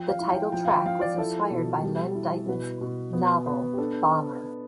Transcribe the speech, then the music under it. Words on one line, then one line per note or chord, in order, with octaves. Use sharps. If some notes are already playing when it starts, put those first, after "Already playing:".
The title track was inspired by Len Deighton's novel "Bomber".
Already playing: F3 G5
F5
E4
G5
F3 G5
F5
G5
F3 F5
D5
E4 A4
B2
G3
E4
B2 B4
B2
B3
B3
G4
D4 A4